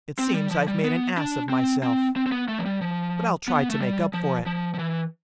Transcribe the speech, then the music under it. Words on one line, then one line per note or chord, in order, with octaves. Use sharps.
It seems I've made an ass of myself, but I'll try to make up for it.
C4
G3
F3
G3
B3
D4
C4
C4
C4
C4
B3
A3
F3
G3
F3
B3
A3
G3
F3
F3
F3
E3